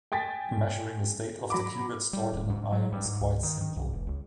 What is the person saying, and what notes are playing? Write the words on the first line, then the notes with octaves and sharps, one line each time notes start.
Measuring the state of the qubit stored in an ion is quite simple.
G5 G#5 A6 B6
F#3 B5 D6
G3
D#1
G#2
F#3
G2
G#2
C#2
D#3
D#3
C2
F1
C#2